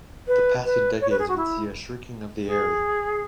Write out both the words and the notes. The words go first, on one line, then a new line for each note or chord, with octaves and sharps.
The passing decades would see a shrinking of the area.
B4
B4
C#5
B4
G#4
F#4
E4
G#4